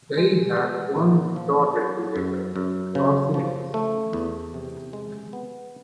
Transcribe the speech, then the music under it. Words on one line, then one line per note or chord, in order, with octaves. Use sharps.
They had one daughter together, Rosines.
G#3
B3
A#2
F3
F#3
F#2
F#2
C#3
F3
A3
E2
C3
G#3
B3